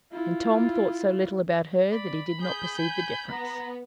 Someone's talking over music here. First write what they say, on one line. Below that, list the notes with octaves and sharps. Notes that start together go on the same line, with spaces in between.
And Tom thought so little about her that he did not perceive the difference.
E4 F4
D5 B5
G#4 G6
G#5
B3 A#5